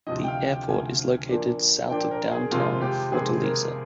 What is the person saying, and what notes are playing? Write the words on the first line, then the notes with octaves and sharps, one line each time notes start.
The airport is located south of downtown Fortaleza.
D2 C3 F3 D#5
G5
F5
G5
D2 C3 F3 G#5
A#2 F3 A#3 D4
A#2 F3 A#3 D4 G5
A#4
G#4
F2 C3 D#3 G#3 C4 F4
G4
F2 C3 D#3 G#3 C4 G#4
A#4